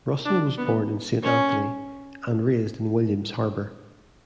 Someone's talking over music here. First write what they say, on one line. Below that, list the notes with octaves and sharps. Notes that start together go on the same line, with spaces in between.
Russell was born in Saint Anthony and raised in William's Harbour.
D4
B3
C#4